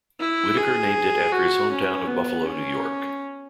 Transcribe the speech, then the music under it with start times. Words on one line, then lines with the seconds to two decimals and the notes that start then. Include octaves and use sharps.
Whittacker named it after his hometown of Buffalo, New York.
0.20 E4
0.57 G#4
1.32 F#4
1.70 C#4
2.07 B3
2.44 C#4